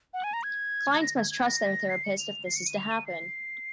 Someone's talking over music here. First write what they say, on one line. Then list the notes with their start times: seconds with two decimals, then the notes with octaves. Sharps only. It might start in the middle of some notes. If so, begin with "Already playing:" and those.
Clients must trust their therapist if this is to happen.
0.14 F#5
0.24 G#5
0.33 A#5
0.43 G#6
1.02 A#6
1.16 G#6
1.31 G#6
1.46 A#6
1.89 C7
2.04 C#7
2.19 F7
2.45 C7
2.56 C#7
2.67 D#7
2.77 F7
2.91 D#7
3.06 C7